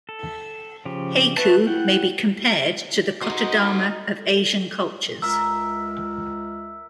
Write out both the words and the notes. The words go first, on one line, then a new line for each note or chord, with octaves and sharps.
Heku may be compared to the Kotodama of Asian cultures.
A4
C#3 F3 G4
F#4 B4 E5 A5
E4 F#5 G5
D#4 F#4 C5 D#5
C#2 A#4 E5 E6